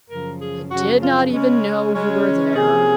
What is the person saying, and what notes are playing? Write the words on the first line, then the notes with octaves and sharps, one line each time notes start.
"I did not even know you were there."
F#2 C#3 F3 A#4
G#4
F#2 C#3 F3 F#4
F4
C#3 G#3 C#4
C#3 G#3 C#4
C3 F3 A#3 C#4 G#4